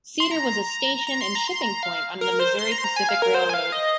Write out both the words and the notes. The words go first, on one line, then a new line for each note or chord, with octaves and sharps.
Cedar was a station and shipping point on the Missouri Pacific Railroad.
C6
A#5
A#5
C6
A#5
C6
A#5
F5
A#4
C5
C6
A#5
C6
A#5
G#5
F5
A#4
C5
G#5
F5
D#5